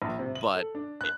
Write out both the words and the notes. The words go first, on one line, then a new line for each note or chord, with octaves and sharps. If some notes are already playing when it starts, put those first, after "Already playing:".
but i
A#1
C3
F#7
A4
D4
F#6